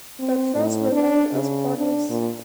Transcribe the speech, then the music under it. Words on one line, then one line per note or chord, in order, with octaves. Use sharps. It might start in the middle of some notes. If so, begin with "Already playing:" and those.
The class were known as 'Barneys'.
C4
A2
D4
C#3
D4
A#2